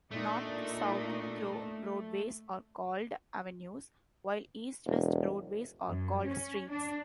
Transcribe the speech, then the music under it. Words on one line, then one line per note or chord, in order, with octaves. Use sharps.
North-south through roadways are called "avenues", while east-west roadways are called "streets".
A#2 A3 D4 D#4
E1
F#2
C#4
D4